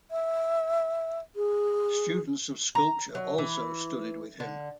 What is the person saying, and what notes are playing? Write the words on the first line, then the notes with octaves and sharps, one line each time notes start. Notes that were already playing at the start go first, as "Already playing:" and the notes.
Students of sculpture also studied with him.
E5
G#4
A#5
F#3
E3
D3